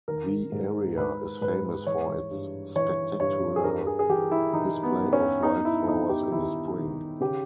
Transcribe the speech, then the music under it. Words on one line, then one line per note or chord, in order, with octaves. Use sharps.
The area is famous for its spectacular display of wildflowers in the spring.
D#3 A#4
G#2
G#2 B4
G#2 B4
E3 C#5
G2
E3 C#5
G2 C#5
G#4
G2 A#4
G#4
G#4
E3 G4
E4
E3 D#4
B3
G2
C#4
E2 D#4
E4
E2 D#4
G4
D#3 E4
D#3
C#3 G4